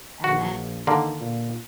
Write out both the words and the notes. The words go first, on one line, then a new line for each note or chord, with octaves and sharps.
and then
A#1 F#4
D3 D#3 A#3
A#2